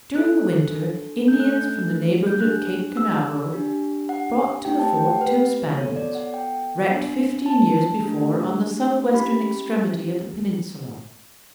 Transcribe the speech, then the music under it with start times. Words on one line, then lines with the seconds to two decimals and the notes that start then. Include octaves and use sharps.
During the winter, Indians from the neighborhood of Cape Canaveral brought to the fort two Spaniards, wrecked fifteen years before on the southwestern extremity of the peninsula.
0.16 D4 F#4 A4 F#6
1.28 A3 D4 A4 G6
1.40 F#6
1.53 G6
2.27 G6
2.40 D4 G4 F#6
2.97 E6
3.53 D4 G4
4.09 F#5
4.65 A3 E4 G4 G5
4.79 A5
4.93 G5
5.07 F#5
5.21 B4
5.77 B3 F#4 A4 C#5
5.96 D5
6.15 F#5
6.34 G5
6.90 B3 D4 F#4
7.46 A5
8.02 A3 D4 G4
9.14 C#4 E4 G4 B5